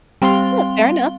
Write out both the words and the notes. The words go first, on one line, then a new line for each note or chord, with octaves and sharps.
Yeah, fair enough.
G3 C4 F5 C6 G7